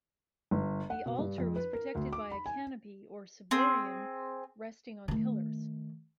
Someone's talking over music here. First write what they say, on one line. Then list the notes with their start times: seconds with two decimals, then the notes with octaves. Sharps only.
The altar was protected by a canopy or "ciborium" resting on pillars.
0.51 G1
0.90 F#5
1.06 B2
1.19 G2
1.38 F2
1.56 B4
1.73 A#4
1.95 D2
2.13 D6
2.31 B5
2.46 G#5
3.51 C4 G#4
5.08 D#3 A3